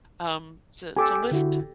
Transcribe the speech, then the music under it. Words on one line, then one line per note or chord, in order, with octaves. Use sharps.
um, to to lift
G4 A4 G#5 D6
D3 E4 F#4